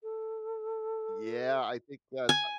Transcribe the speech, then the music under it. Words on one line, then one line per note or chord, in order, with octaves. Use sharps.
Yeah, I think that, uh
A4
G#5